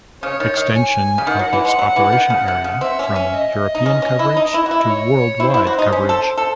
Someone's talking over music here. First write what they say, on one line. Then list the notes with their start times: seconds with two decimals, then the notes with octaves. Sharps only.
Extension of its operation area from European coverage to Worldwide coverage.
0.23 C#3 C#5
0.40 D#3
0.57 D#3
0.75 G#5
1.18 C#3
1.27 D#3 F#5
1.39 F#3
1.53 E3
1.65 G#3
1.79 F#3
1.96 E3
2.13 D#3
2.30 C#3
2.48 C3
2.64 C#3
2.81 C4 E5
2.99 C#4
3.16 C#4
3.33 D#5
3.75 D#4
3.86 C#4
4.02 C#4
4.19 E4
4.37 D#4
4.54 E4
4.66 F#4
4.71 E4
4.88 C#5
5.40 E4 C5
5.54 E4
5.67 F#4
5.79 D#4
5.93 C#4
6.09 A4
6.38 A4